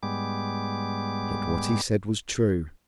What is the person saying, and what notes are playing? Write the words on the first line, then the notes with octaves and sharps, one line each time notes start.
Yet what he said was true.
G#2 G3 G#3 B3 D6